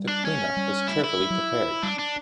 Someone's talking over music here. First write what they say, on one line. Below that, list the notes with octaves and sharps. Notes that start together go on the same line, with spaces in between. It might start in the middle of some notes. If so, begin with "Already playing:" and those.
The Quinoa was carefully prepared.
Already playing: G3
D4
C#4
G3
E4
E4
G3
F#3
G3 D4
D4